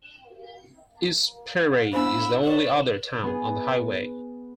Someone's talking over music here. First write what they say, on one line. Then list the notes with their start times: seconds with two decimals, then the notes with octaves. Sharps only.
East Prairie is the only other town on the highway.
1.93 B3 D4 E4 C5 B5 E6
2.44 B4 C#5 D5
3.23 B3 G#4